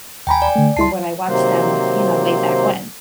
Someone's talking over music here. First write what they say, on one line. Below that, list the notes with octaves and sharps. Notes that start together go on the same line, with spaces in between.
from when I watched them, you know, way back when.
D#2 G5 G#5 A#5 B5
D5
D3 A3
C#2 E4 A5 C6 C7
C3 D#3 F#3 A#3 C5